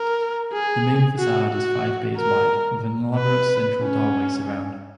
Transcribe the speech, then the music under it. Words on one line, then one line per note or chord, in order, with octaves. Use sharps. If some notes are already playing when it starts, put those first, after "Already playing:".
The main facade is five bays wide, with an elaborate central doorway surround.
Already playing: A#4
G#4
F#4
F#4
A#4
B4
C#4